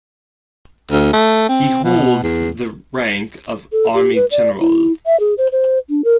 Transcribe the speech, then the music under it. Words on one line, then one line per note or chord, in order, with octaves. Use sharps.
He holds the rank of Army General.
D2
A3
C4
B2
E2
A4
G4
B4
D5
E4
E5
G#4
C5
C5
D4
A#4